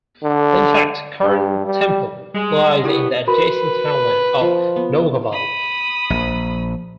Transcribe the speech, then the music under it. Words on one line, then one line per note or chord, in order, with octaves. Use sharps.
In fact Carntemple lies in the adjacent townland of Noughaval.
D3
G2
G3
G3 G#3
B2 F#3 B3 E4 G4
F#4 A#4 B4 B5
F3
B3
B5 D#6
A#1